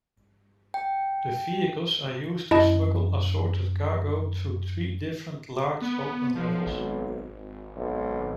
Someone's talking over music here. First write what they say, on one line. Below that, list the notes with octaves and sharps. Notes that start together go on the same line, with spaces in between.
The vehicles are used to smuggle assorted cargo through three different large, open levels.
G5
F#2 E4 D#5 A5
B3
B1 F3
G#1
B1